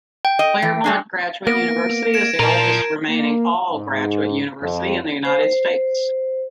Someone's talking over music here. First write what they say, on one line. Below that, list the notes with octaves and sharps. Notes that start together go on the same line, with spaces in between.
Claremont Graduate University is the oldest remaining all-graduate university in the United States.
G5
D#5
E3
G3 G#3 D4
A#3 B3 A#6 D7
G#6 D7 E7
A#2 F4 A#4 A5
A#3
G#2
F2
C5